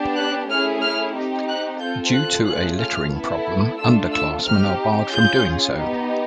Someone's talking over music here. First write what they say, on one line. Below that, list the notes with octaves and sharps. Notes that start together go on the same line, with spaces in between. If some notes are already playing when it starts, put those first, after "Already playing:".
Due to a littering problem, underclassmen are barred from doing so.
Already playing: B3 D4 G4
F#6
A3 C#4 E4 G#4 F6
F6
C4 D#4 G4
F#6
C4 F4 A4 G6
F#6
A3 C#4 F4 G#4 F#6
F6
B3 E4 A4
A3 D4 F4 A4 E6
E6
C4 D#4 G4 F6
C#4 F4 G#4 G6
B3 D#4 G4